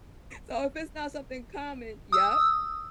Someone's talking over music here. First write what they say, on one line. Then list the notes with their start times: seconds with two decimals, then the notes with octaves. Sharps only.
So, if it's not something common Yep,
2.12 D#6 E6